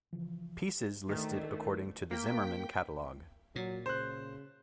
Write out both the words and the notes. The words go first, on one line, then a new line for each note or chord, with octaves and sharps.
Pieces listed according to the Zimmerman catalogue.
C#3 E3 F3
D2 D#3 A3
A#3 G5 B6
A#2 F#3
C#3 C5 F#6